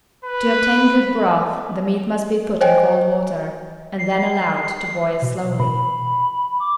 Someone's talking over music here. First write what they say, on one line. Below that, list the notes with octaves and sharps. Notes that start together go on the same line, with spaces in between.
To obtain good broth the meat must be put in cold water, and then allowed to boil slowly.
B4
C5 C#5 D#5 G5 G#5
C7
B2
B5
D6